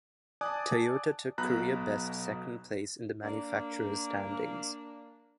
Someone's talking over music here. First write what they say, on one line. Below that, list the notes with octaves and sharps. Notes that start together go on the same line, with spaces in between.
Toyota took career-best second place in the manufacturers' standings.
D5 G#5 A5 D6 D#6 F#6
B1 B2 A#5 B5 F#6
A#3 D4